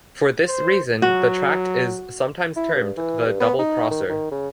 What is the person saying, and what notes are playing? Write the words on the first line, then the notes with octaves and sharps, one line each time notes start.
For this reason the tract is sometimes termed the double-crosser.
C5
F#3 F#4
E4
G2
E3
G2
B3
D#4
D#3
D#3
C#3